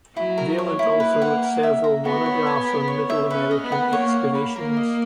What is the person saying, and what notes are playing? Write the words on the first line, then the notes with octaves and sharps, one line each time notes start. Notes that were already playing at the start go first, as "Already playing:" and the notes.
Vaillant also wrote several monographs on Middle American excavations.
F#3 E4
A#4
C#5
A#3 E4
B4
F#5
A#4
E5
A#5
B3 F#4
C#5
G#5
A#4
C#5
E5
C#4 B4
D#5
B3
F#5
A#3 C#5
F#5
B5
A#3 A#4
D#5